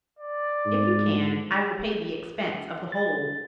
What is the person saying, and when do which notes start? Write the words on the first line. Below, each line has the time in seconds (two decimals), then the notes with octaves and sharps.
If you can, I will pay the expense of the whole.
0.19 D5
0.66 G#2
2.92 A6